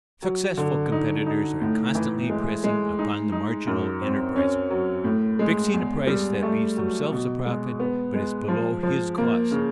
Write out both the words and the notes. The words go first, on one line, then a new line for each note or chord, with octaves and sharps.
Successful competitors are constantly pressing upon the marginal enterpriser, fixing a price that leaves themselves a profit, but is below his cost.
F#3
D3
D#4
D#4
A2
E3
G#3
G#3
D#4
D#4
F#2
C4
C#4
F#3
A2
G#3
E2
G3
A3
F#3
B2
G#3
B3
G#3
F3
F3
A#3
C#3